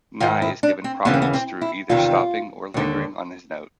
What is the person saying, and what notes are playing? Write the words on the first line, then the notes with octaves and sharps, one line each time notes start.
Ni is given prominence through either stopping or lingering on this note.
G#2 D#3 F4
E4
D4
C4
D#2 C#3 E3 B3
C4
B3
C4
E4
E2 C3 D#3 F4
D#2 D3